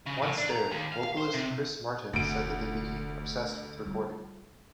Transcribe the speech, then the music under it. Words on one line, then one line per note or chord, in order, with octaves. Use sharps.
Once there, vocalist Chris Martin said that they became obsessed with recording.
C#3
A2
D4
A#5
D#2
F5
C5
C3
F1 D2 D7
G3 F4